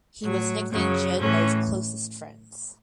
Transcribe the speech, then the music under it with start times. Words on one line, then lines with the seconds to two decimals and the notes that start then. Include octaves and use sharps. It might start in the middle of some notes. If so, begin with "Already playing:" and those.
He was nicknamed "Jed" by his closest friends.
0.22 A2 F#3
0.70 F#2 C#3 F#3
1.18 A2 E3 C#4